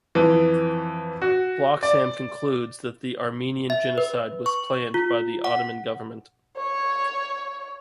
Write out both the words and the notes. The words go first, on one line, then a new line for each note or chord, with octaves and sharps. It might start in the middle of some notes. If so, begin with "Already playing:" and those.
Bloxham concludes that the Armenian genocide was planned by the Ottoman government.
F2 E3
F#4
D5
E5
B4
C#6
F4
F#5
C#5